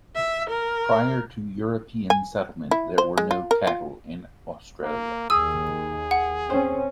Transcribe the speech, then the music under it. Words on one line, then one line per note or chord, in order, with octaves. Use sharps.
Prior to European settlement there were no cattle in Australia.
E5
A#4
G#5
E4
C5
G#3
F4
A#4
F4
A#3
D#2 G#4 D#6 E6
F#5
C4 C#4 C5